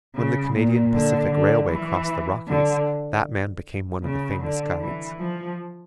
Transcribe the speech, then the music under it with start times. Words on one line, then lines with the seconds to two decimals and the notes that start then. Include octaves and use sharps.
When the Canadian Pacific Railway crossed the Rockies, that man became one of the famous guides.
0.15 C#3
0.53 A#2
0.92 D3
1.32 D3
1.70 E3
2.48 D3
4.03 C#3
4.41 D3
4.80 E3
5.19 F3